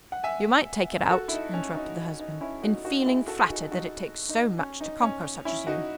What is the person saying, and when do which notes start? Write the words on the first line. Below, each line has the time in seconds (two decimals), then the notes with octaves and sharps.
"You might take it out," interrupted the husband, "in feeling flattered that it takes so much to conquer such as you."
0.12 F#5
0.24 E5 G#5
1.11 F#4 A4
1.28 E4
1.33 D#4
1.54 C#4
1.76 D#4
2.19 D#4
2.41 C#4 E4
2.62 D#4 F#4
2.85 D#4 F#4
3.02 F#4
3.06 E4 G#4
3.28 F#4 A4
3.40 G#4
3.50 D#4 F#4
3.61 G#4
3.72 D#4 F#4
4.29 D#4
4.58 C#4
4.81 D#4
5.02 C#4
5.45 C#4 E4
5.67 D#4 F#4